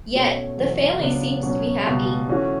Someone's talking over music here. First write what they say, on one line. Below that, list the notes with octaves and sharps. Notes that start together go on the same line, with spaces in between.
Yet, the family seems to be happy.
B2 A3 C#4 F#4 C#5
E2 B2 F#3 A3
C#2 C#3 F#3 B3 D4
B2 F#3 C#4
C#2 B2 G3
E3 A3 C#4 F#4